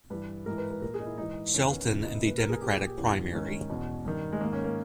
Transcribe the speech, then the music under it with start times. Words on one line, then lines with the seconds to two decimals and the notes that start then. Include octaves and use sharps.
Shelton in the Democratic primary.
0.10 G2 E3 B4
0.46 G#2 E3 A#4
0.58 B4
0.70 B4
0.81 A#2 A#4
0.94 G#4
1.00 D#4
1.06 E4
1.17 G#2 E3 D#4
1.54 E2 D#3 C#4
1.71 B3
1.89 E2 C#3 E3
2.02 D#4
2.14 E4
2.26 A#2 B4
2.38 A#4
2.49 G#4
2.61 A#2 G4
2.73 G#4
2.86 G4
2.98 E2 C#3 E3
3.33 G#2 D#3 C#4
3.70 E2 B2
4.05 G2 D#3
4.33 G#3
4.41 G#2 D#3 A#3
4.53 C#4
4.64 A#3